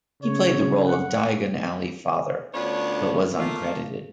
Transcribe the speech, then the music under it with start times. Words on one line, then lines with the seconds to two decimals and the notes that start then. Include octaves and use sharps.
He played the role of Diagon Alley Father, but was uncredited.
0.22 C#3 C#5
0.87 F#5
2.53 D2 B3 C#4 D4 F4 C#5
3.37 A3 A#3 F4